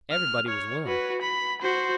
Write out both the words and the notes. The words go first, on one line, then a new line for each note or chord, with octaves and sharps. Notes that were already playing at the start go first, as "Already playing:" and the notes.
Everybody was willing.
F6
C#5
F#4 B4
B5
F#4 C5